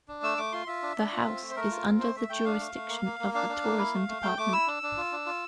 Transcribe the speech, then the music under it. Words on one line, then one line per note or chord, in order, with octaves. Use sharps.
The house is under the jurisdiction of the Tourism Department.
D4
A3 E6
A3 D6
F4 C6
F4 E5
D4
D4
F4
C4
A3
C5
A3 A#4
F4
C4
A3 C5
A3 E5
A3 G5
D4 F5
A3
A3
A#3
A#3
A#3
D4 F5
D4
A#3
E4
A3
A3
A3 G5
A3 D6
E4 E6
D4
D4
F4
D4
F4